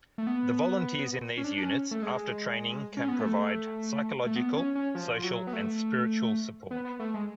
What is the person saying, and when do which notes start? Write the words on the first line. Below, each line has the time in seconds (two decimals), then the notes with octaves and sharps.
The volunteers in these units, after training can provide psychological, social and spiritual support.
0.18 A3
0.27 B3
1.37 C#4
1.44 D4
1.57 D4
1.63 C#4
1.91 A3
2.03 G#3
2.97 C#4
3.08 B3
3.20 A3
4.26 A3
4.36 B3
4.56 C#4
4.75 C#4
4.95 F3
5.17 F3
5.24 F#3
5.47 B3
5.53 A3
6.71 B3
6.85 B3
6.99 A3
7.14 G#3